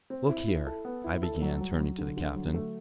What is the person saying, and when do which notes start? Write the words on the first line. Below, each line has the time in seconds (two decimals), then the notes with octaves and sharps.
"Look here," I began, turning to the captain.
0.10 C4
0.29 E4
0.48 E4
0.67 A4
0.85 B3
1.04 E4
1.23 A4
1.42 F#3
1.60 F#3
1.80 F#3
1.98 D3
2.17 D3
2.35 F#3
2.54 A3